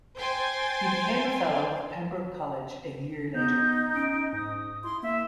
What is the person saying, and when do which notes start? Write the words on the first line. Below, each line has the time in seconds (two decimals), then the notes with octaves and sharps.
He became a Fellow of Pembroke College a year later.
0.17 C5 G5 G#5 C6 A6
3.34 B3 D#4 G6
3.95 C#4 D7
4.33 G#2 D#6
4.84 E4 C6
5.03 A#3 E5